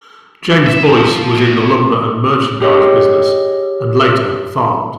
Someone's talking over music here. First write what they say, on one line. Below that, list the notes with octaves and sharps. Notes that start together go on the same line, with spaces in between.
James Boyce was in the lumber and merchandise business, and later farmed.
E5
F3
E2
G4 G#4 C#5 D#5